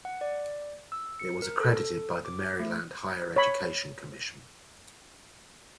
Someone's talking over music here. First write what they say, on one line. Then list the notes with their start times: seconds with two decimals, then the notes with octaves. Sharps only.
It was accredited by the Maryland Higher Education Commission.
0.05 F#5
0.21 D5
0.92 E6
1.19 C#7
1.42 A#4
1.60 A4
2.25 D6
2.60 A3
3.36 C#5 B5